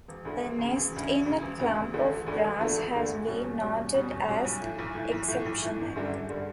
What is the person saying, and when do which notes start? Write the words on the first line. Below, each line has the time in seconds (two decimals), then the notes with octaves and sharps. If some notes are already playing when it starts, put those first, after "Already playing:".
A nest in a clump of grass has been noted as exceptional.
0.08 E1
0.25 D2 D3
0.42 E1
0.58 D2 C#3
0.76 E1
0.92 D2 C#3
1.09 E1
1.25 D2 C#3
1.42 E1
1.59 D2 C#3
1.76 E1
1.93 D2 D3 A3
2.09 E1
2.26 D2 D3 A3
2.43 E1
2.59 D2 D3 A3
2.77 E1
2.93 D2 D3 A3
3.10 E2
3.27 B2 G3 C#4
3.43 E2
3.61 B2 G3 C#4
3.77 E2
3.94 B2 G3 C#4
4.11 E2
4.28 B2 G3 C#4
4.44 B1
4.61 A2 E3
4.79 B1
4.95 A2 E3
5.12 B1
5.28 A2 E3
5.45 B1
5.62 A2 E3
5.79 G1
5.96 F#2 D3 G3
6.13 G1
6.30 D3 G3